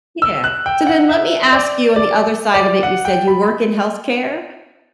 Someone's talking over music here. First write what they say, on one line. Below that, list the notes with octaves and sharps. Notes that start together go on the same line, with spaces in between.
Yeah. So, then let me ask you, on the other side of it, you said you work in healthcare?
E6
F#6
G5
F#5
E5
D5
D5
D5
F#5
G5
B5